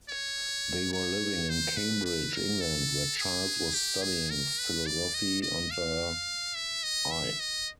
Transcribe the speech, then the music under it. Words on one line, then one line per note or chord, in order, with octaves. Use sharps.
They were living in Cambridge, England, where Charles was studying philosophy under I.
C#5
C#5
C5
B4
B4
A#4
A4
G#4
G4
G#4
A#4
B4
D5
D#5
D#5
F5
E5
D#5
E5
D#5